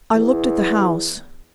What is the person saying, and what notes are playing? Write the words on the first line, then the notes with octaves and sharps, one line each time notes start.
I LOOKED at the house.
E2